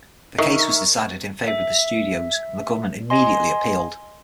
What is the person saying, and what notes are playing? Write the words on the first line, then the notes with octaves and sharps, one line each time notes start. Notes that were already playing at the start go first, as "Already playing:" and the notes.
The case was decided in favor of the studios, and the government immediately appealed.
D#3 A#4 E5 C#6
E5
D#5 G#5 C6